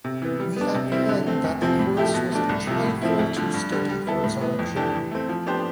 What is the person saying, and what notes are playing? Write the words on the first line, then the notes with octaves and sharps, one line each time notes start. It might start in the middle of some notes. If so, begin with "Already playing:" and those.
We apprehend that the course was a trifle too sticky for his action.
C3
E3 B3
G3
B3 D4
C3
G3 C4 E4
D3
A3 C4
E2
C3 F3 C4
A2
F3 A3 E4 G4
B2
A3 D4
C2
C3 F3
A2
F3 C4 E4
D2
D3 F3
G2
D3 G3
G3
B3 E4 A4
A2
E3 B3
F2
E3 A3 D4 G4
E3
A3 C4
F3
B3 D4 G4 C5